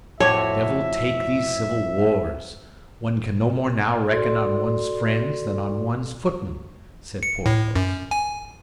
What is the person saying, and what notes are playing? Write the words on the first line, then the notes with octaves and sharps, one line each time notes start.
"Devil take these civil wars! one can no more now reckon on one's friends than on one's footmen," said Porthos.
F2 A2 F#4 C#5 E5 A5 D6 G#6
F#4 A4 D5 C6
C#7
A2
F#2
G#5